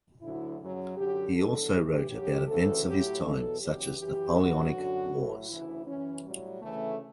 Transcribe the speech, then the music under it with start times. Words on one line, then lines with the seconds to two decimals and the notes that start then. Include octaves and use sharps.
He also wrote about events of his time, such as the Napoleonic wars.
0.22 D2 D3 F#3 E4
0.59 F#2 C#3 F#3
0.97 F#2 D3 F#3 G4
1.34 E2 D3 F#3 A4
1.72 G2 E3 G4
2.10 F#2 C#3 F#3 G4
2.47 D2 C#3 E3 A4
2.85 A2 F#3 G4
3.23 E2 B2 F#3 A4
3.60 E2 C#3 F#3 G4
3.97 F#2 E3 G4
4.36 E2 B2 F#3 F#4
4.73 F#2 D3 F#3
5.11 A2 F#3
5.48 D2 C#3 E3 E4
5.86 F#2 E3 C#4
6.24 A2 F#3 G3
6.61 D2 C#3 E3 A3